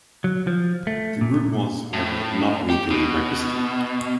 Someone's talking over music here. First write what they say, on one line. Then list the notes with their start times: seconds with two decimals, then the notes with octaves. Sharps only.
The group was, however, not legally registered.
0.24 F#3
0.47 F3
0.87 A3
1.21 A#2
1.93 A2
2.70 G4
2.91 B2